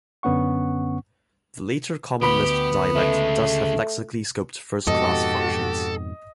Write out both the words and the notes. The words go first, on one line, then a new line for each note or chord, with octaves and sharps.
The later Common Lisp dialect does have lexically scoped first-class functions.
F#2 D3 B3 C#4 F#5 C#6
D2 B3 G4 B5
C#3 G#3 A3
F2 G#2 B2 F#4 G4 A4 D#5